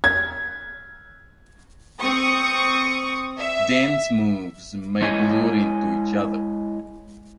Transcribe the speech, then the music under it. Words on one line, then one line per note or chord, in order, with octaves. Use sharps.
Dance moves may blur into each other.
G#6
C4 C#6 D#6
E5
G#3 E4 C#5 D#5 G#5